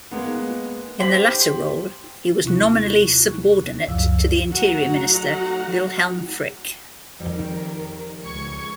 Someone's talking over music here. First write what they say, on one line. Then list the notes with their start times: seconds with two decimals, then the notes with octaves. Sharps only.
In the latter role, he was nominally subordinate to the Interior Minister, Wilhelm Frick.
0.11 G#3 A#3 B3
1.00 G4 C5 B6 F#7
2.44 D#2 C3 E4 F4 C#6 F#6
3.88 C#2 F#2 F3 D5 F5 E6
4.51 F#3 A3 D#4 F#4 F#5 A#5
7.19 F2 D#3 G3 A#4
8.25 C#2 C#6 G#6